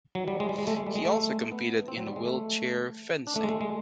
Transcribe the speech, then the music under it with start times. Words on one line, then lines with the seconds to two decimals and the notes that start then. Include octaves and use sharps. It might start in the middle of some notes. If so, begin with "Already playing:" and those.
He also competed in wheelchair fencing.
0.15 F#3
0.28 G3
0.40 G#3
0.49 G3
0.58 G#3
0.67 A3
0.77 G#3
0.87 G3
0.96 G#3
1.05 A3
1.52 B3
1.88 C4
1.98 F#3
2.06 G3
2.16 G#3
2.25 A3
3.27 D4
3.36 A3
3.43 G#3
3.49 A3
3.61 G#3